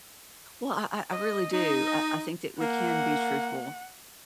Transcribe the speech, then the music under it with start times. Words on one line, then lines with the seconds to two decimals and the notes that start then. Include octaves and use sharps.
Well, I I I really do. I I think that we can be truthful,
1.10 D#5
1.53 D#4 D#5
2.61 A#3 F#5